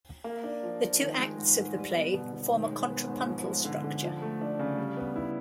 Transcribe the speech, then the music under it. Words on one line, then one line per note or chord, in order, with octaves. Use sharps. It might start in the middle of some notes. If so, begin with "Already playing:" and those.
The two acts of the play form a contrapuntal structure.
A#3
D4
F3
F3
D#3
G#3
G#2
G#2
G3
B3
B2
B2
D#3
G#3
B3
G#2
F3
G#3
D3
D3
F3
A3
D4
C#3
G3
B3
E4